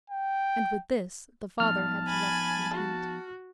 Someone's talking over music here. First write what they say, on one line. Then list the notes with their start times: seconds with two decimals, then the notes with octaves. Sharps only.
And with this the father had to rest content.
0.10 G5
1.60 F3 B3 D#4 A5 F6
2.08 G#5 B5 A6
2.74 F#4